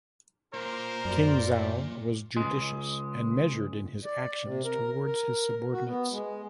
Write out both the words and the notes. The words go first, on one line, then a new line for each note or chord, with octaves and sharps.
King Zhao was judicious and measured in his actions toward his subordinates.
A#2 A#4 C5
F#2 D5
C#2 G#3
D5
C3
A#4
A#4
F#4
B3
G#3